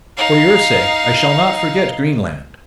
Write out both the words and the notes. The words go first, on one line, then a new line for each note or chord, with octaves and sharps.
"For your sake I shall not forget Greenland."
D#4 F5